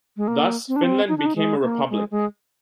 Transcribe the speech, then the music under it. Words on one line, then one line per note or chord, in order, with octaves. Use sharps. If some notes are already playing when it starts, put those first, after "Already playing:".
Thus, Finland became a republic.
G#3
A#3
C4
D4
C4
D#4
D4
D#4
G#3
A#3
G#3
G#3